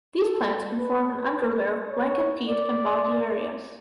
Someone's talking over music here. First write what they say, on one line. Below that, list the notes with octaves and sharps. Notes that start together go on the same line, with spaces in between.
These plants can form an underlayer of blanket peat and boggy areas.
A4
B4
C#5
D5